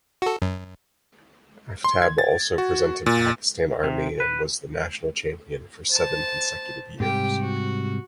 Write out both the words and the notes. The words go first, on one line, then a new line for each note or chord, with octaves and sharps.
Aftab also represented Pakistan Army and was the national champion for seven consecutive years.
F#4 A4
F#2
C6
G#6
A6
F#4
A#2
C3
B4
C5 A5
G#2 C3 G3 G4 G5
F#4